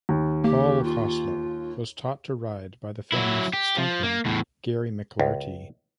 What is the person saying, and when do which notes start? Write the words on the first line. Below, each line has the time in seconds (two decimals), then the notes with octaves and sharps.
Paul Koslo was taught to ride by the film's stuntman Gary McLarty.
0.09 D#2
0.44 A#3 G4
0.84 F4
3.12 F#3 E4
3.53 G4
3.77 F3
4.03 A#3
4.25 E2 A2
5.20 C#2